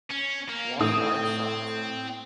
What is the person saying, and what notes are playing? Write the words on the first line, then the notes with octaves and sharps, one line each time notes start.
One wide shot.
C#4
A#3
A2 C4 D#6